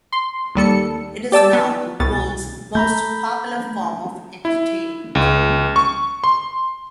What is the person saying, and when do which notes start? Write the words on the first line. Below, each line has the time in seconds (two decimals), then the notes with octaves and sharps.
It is now the world's most popular form of entertainment.
0.12 C6
0.55 D#2 G3 A4 C#7
1.32 G4 D5 A5 E6
1.53 B3
2.00 C2 B2 A6
2.75 A3 A#5 B5 G6
4.45 E4
5.15 C#2
5.76 C#6
6.24 C6